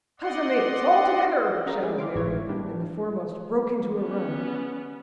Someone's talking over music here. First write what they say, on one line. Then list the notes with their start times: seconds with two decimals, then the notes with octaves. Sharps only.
"Huzza, mates, all together!" shouted Merry; and the foremost broke into a run.
0.20 D5 D#5 F#5 C6
1.66 C#4 E4 A#4 F5 A#5
1.82 G#3 E4 G4 G#4
1.98 F5 C6 D6
2.15 G#1 A2 G#3 E4 C#5 G#6
2.49 G3 A#3 D4 G4
3.98 B3 C#4